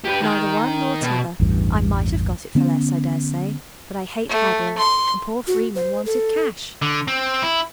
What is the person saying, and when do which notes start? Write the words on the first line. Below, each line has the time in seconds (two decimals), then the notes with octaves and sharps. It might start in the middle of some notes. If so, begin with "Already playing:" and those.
"Neither one nor t'other; I might have got it for less, I dare say; but I hate haggling, and poor Freeman wanted cash."
0.04 G4 B4
0.22 D#3
1.01 B2
1.40 A1 E2 G2
2.55 D3 B3 C#4
4.29 A3
4.78 C6
5.47 F#4
5.75 C5
6.06 A4
6.82 D3
7.08 C4
7.42 E4